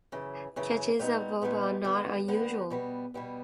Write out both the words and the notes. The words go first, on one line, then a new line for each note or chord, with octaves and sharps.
Catches above are not unusual.
F#2 C#3 E3
F#2 C#3 E3
A#2 G3 B3 D#4
A#2 G3 B3 D#4
D3 G3 B3
D3 G3 B3
B2 G3 B3
B2 G3 B3